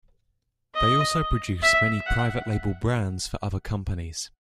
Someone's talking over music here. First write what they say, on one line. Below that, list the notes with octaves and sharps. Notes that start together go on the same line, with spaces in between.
They also produce many private label brands for other companies.
D#5
E5
F#5